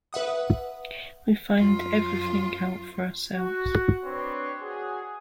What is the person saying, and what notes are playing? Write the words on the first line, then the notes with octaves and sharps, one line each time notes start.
We find everything out for ourselves.
B4 E5 F#5 D#6
F#2 F4
F#4
C4 D4 B4 C#5 C6
F#4 G#4